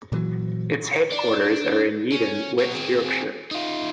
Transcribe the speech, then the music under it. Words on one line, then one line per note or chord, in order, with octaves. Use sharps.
Its headquarters are in Yeadon, West Yorkshire.
A#2 E3 F#3
D4
C#4
B2 F#3
C4 G#4
D#4 F4